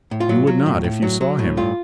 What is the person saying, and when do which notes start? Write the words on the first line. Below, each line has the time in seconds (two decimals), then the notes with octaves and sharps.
You would not if you saw him.
0.11 A2
0.20 F4
0.29 F#3
0.47 F#3
0.66 A2
0.84 A2
1.02 F#3
1.21 F#3
1.39 A2
1.57 G2 F4